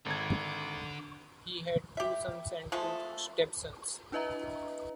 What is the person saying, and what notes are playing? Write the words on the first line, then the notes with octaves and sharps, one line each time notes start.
He had two sons and two stepsons.
G#1 D3 G#6
G4 E5
F3 G#3 A3 A4
D4 E4 B4 D#5 E5 A#5